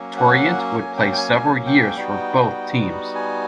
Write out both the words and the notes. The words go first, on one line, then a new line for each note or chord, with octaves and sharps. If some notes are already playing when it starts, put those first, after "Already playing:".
Torriente would play several years for both teams.
Already playing: F#3 A#3 C#4
F#5
G#5
G5
G5
G#5
G#5
G5
G3 B3 D#4 F#4
G#5